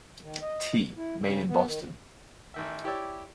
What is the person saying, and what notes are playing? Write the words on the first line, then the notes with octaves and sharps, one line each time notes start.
T. Main in Boston.
D#3
D#5
E4
C#3
B3
D#3
A1 D#3 E5
E4 G4 C#5 D5 E6